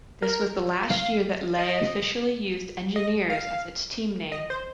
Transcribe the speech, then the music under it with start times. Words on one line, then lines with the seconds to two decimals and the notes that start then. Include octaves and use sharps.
This was the last year that Lehigh officially used "Engineers" as its team name.
0.22 A#4
0.90 F5
1.59 D#5
2.96 D#5
3.30 F5
4.32 D#5
4.50 C5